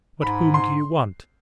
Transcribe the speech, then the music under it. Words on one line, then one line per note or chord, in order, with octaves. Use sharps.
But whom do you want?
G#2 B5
C6